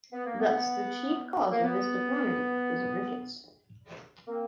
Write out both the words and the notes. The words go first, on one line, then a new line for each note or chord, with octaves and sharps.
Thus the chief cause of this deformity is rickets.
B3
A#3
B3
A#3
B3
A#3 C4